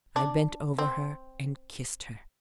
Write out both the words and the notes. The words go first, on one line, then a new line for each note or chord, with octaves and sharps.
I bent over her and kissed her.
D4
C4